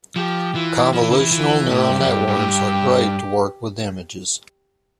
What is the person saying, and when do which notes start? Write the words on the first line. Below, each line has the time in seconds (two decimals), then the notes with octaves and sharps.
Convolutional Neural Networks are great to work with images.
0.16 F3 G4
0.55 E3 F4
0.93 F3 E4
1.02 E3
1.11 D3
1.20 E3
1.32 E3 F4
1.70 A2 G4
1.89 G2
2.00 F2
2.08 G2
2.28 G2
2.36 A2
2.44 G2